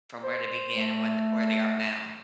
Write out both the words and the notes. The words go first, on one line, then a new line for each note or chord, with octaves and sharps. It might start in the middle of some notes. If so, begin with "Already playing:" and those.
from where they began and when where they are now.
C5
A3